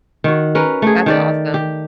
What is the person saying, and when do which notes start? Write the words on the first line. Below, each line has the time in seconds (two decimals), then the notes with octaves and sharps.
That's awesome.
0.24 D#3 F#4
0.55 C#4 A#4 B4
0.82 A3 G#4
1.06 D#3 G4 D5
1.54 G4